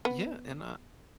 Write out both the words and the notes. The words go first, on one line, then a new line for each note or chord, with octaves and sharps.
Yeah, and, uh
B3